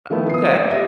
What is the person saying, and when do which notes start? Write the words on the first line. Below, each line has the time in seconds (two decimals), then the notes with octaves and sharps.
Uh, okay.
0.10 D#3 F3 A3 B3 E4
0.30 D#6 C7
0.48 C5 D5
0.70 G4 D#5 E5